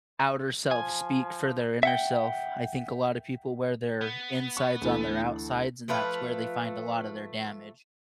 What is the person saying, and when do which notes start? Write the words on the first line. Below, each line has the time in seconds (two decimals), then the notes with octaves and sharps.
outer self speak for their inner self, I think a lot of people wear their insides on their outsides, and that's where they find a lot of their damage.
0.71 F3 G#5
1.83 E5 F#5 G5
4.01 B3
4.57 C#6
4.81 D2 E3 A4
5.88 F3 A3 B4 F5